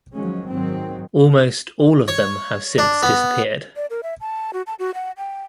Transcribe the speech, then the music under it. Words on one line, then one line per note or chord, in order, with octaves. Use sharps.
Almost all of them have since disappeared.
D#3 F3 F#3 G#3 C#4
G#2 D#3 F#3 C4
C#5
D4
B3
D5
A#4
E5
A5
F#4
A5
F#4
F#5
G5